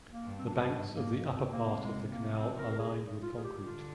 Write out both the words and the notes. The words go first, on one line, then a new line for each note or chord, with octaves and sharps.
The banks of the upper part of the canal are lined with concrete.
A#3
G2
C4
D4
C4
G#2 D4
A#3
C4
C3 A#3
G#3
A#3
C4
A#4
A#4
G#4
F4
G#4
G4
D3 F4